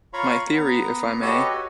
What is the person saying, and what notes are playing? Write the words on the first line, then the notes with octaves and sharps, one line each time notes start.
My theory, if I may...?
F4 C#5 F5 A#5 B5 C#6
B3 A#5
F#4 G4 A4 B4 C#5 D#5
F#4